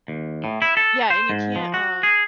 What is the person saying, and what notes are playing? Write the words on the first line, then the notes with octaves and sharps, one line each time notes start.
Yeah, and you can't, uh
D#2
A2
E4
A4
C5
G#2
F3
F#4
G#4